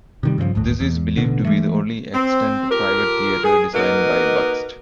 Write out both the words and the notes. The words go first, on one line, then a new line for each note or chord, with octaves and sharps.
This is believed to be the only extant private theatre designed by Bakst.
C3 D#3 G3
G2 C#3 E3 F3
D1 G#1 A2
E2
A1 B2 D3
E3 G#3 A3
C4
F4 G4 A4 A#4
G#4
A#3 D#4 F#4 A#4 B4 D#5